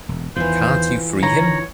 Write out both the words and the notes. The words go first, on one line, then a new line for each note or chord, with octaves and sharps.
Can't you free him?
E1
E2 D#3 E3 F4 C5
D3 D#3 C#5 A#5